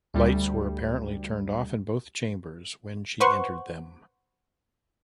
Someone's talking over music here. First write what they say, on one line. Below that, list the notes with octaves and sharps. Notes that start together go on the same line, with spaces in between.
Lights were apparently turned off in both chambers when she entered them.
D2 G3
B4 C5 F#5 C6 C#6